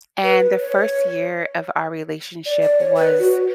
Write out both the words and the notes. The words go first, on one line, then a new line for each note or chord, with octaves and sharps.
And the first year of our relationship was
B4
C#5
D5
D5
C#5
B4
F#4